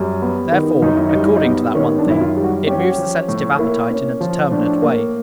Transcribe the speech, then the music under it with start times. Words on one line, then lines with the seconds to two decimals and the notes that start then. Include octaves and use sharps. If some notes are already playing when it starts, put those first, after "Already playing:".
Therefore, according to that one thing, it moves the sensitive appetite in a determinate way.
Already playing: F#2 G3
0.22 B3
0.52 D#3
0.82 F#2 D#4
0.96 E4
1.09 G3 D#4
1.23 E4
1.37 D#4
1.44 B3
1.75 D#3 C#4
1.98 D4
2.06 F#2 E4
2.21 F4
2.37 G3
2.43 F#4
2.67 C#4 G4
2.79 F#4
2.90 G4
2.98 F3
3.29 A2
3.59 A#3 E4
3.90 C#4
4.21 F3
4.51 A2 D4
4.82 A#3